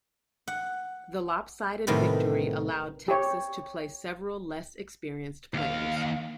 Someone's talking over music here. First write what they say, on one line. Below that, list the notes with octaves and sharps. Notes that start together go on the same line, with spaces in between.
The lopsided victory allowed Texas to play several less-experienced players.
F#5
A2 C3 D#3 G3 B3
G4 C#5
D#2 F5